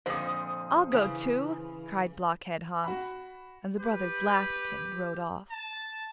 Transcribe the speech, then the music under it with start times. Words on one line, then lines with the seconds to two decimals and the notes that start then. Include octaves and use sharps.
I'll go to!' cried Blockhead-Hans; and the brothers laughed at him and rode off.
0.06 F2 A#2 D3 C5 D#6
0.92 C#3 E3
2.84 F#4 B5
3.80 G4 B4
5.51 A5